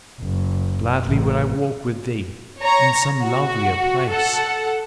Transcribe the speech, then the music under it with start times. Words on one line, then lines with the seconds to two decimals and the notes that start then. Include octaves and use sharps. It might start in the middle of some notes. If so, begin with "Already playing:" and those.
Gladly would I walk with thee--in some lovelier place!
0.20 F#1
1.04 A1
2.60 C#5 A#5
3.22 F#4
4.10 A4 F#5